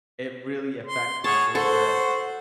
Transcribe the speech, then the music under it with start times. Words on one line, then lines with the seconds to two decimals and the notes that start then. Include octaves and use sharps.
it really affects my mood where
0.87 C6
1.24 F#4 G#4 C#5 A5
1.55 F#4 A4 C5